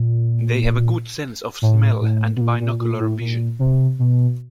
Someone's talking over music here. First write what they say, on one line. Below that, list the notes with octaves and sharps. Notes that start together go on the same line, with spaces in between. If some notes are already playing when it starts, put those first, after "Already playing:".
They have a good sense of smell and binocular vision.
Already playing: A#2
A2
A2
B2
A#2
A#2
A#2
A2
A#2
C3
B2